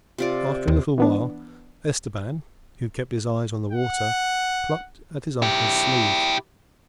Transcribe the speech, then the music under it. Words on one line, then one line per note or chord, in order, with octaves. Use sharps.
After a little while, Esteban, who kept his eyes on the water, plucked at his uncle's sleeve.
C3 F4 D5
D#2
E3 B3 D4
F#5
E4 G4